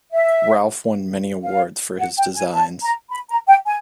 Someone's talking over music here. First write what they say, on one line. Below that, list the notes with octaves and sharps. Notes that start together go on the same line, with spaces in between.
Ralph won many awards for his designs.
E5
F5
F#5
G5
G#5
A5
A#5
B5
A#5
G5
G#5